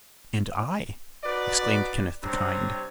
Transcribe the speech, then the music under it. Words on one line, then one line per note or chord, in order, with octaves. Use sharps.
"And I," exclaimed Kenneth the Kind.
D#4 F#4 B4 D5
C3 G3 C4 D4 C#5 A#5